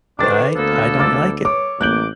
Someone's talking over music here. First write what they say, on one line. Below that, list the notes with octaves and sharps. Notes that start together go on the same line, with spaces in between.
I I don't like it.
D3 D#3 D4 B4 C5 D6 A6
D2 A#3 B3 A4
D6 E6 A6
C#5 D6
A1 A#3 D6 F#6 G6 F#7